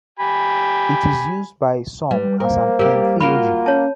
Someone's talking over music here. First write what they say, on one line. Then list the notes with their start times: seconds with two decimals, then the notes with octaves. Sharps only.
It is used by some as an entheogen.
0.19 G4 G#5 B5
2.11 G3 B4
2.40 A#3 A#4 C5
2.79 G3 G4 A#4
3.20 A#3 F4 F#4 A#4 B5
3.66 C#4 C#5 A5